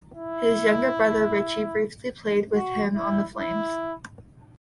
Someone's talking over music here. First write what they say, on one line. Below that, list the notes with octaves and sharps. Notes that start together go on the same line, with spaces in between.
His younger brother Richie briefly played with him on the Flames.
E4
F#4
E4
E4